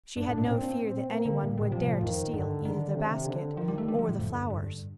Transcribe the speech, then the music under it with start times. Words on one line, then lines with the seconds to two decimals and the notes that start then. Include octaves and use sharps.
She had no fear that any one would dare to steal either the basket or the flowers.
0.17 G2 D4
0.27 A2
0.38 A#2
0.48 A#2 C4
0.79 C4
1.10 A#3
1.25 D3
1.41 A2 G3
1.58 A#2
1.72 C3 F3
1.88 A2
2.02 F2 D#3
2.34 G2 D3
2.65 D3 D#3
2.96 C3
3.27 D3
3.57 D#3 F3
3.68 G3
3.78 A3
3.88 D3 G3
3.99 F3
4.09 A2
4.20 F2
4.35 G2
4.50 G2